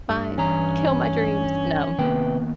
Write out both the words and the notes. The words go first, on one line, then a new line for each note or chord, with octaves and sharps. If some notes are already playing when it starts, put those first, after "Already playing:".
Fine. Kill my dreams, no.
G2
E3 C#4 A#5
C3 D#3 A#3 B3 B4 G5